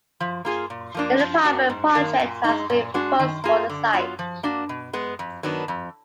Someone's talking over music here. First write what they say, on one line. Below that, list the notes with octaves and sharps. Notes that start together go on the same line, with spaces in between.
An apartment project has been proposed for the site.
F3
A#3 F4 G#4
A#2
F3 A#3 D4
F3
A#3 D4 F#4
G#2
D#3 A#3
A#2
G#3 D#4
A#2
G#3 D4 F#4
D#3
A#3 F4 G#4
D3
F#3 B3 F4
F3
A#3 D4 F#4
B2
G#3 B3
F2
D#3 F#3 B3 D4
F2